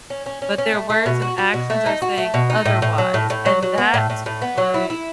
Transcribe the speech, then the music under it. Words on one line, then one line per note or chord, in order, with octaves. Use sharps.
but their words and actions are saying otherwise. And that's what
C#4
C#4
C#4
C#4
A3
A3
B2
F#4
F#4
B2
A3
D#4
F#4
A3
B2
D#4
A2
A2
F#3
A2
A2
F#3
F#3
B3
A2
A2
A2
B3
F#3
E4
E4